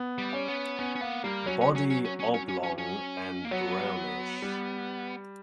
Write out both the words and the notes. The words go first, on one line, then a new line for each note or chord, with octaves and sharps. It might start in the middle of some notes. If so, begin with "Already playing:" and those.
Body oblong and brownish.
Already playing: B3
G3
C#4
B3
B3 C#4
C#4
A#3 B3
G3 A#3
F#3 C#4
C#4
C#4
C#4
C#4
C#4
C#4
C#4
C#4
C#4
A#3
F#3 B3
G3